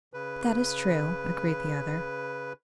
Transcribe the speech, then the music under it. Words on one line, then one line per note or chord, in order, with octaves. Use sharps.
"That is true," agreed the other.
C#3 B4